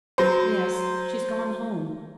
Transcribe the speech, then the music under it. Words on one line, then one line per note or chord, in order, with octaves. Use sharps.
"Yes, she's gone home."
F#3 C5